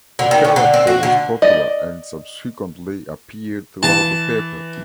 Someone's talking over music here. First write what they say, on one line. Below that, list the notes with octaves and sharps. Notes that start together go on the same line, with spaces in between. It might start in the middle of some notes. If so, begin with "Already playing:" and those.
The character was popular, and subsequently appeared throughout the paper.
D3
D#3
C#4
D3
C4
F#4
D3
D5 D#5
E3 A5